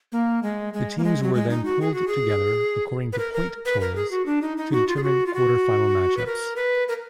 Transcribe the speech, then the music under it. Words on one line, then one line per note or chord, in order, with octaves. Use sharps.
The teams were then pooled together, according to point totals, to determine quarter-final match-ups.
A#3
G#3
G#3
A#3
G#3
F#3
G#3
D#4
F#4
G#4
F#4
G#4
B4
A#4
A#4
B4
A#4
G#4
F#4
D4
D#4
D#4
F#4
F4
G#4
F#4
F4
F#4
B4
A#4
B4
A#4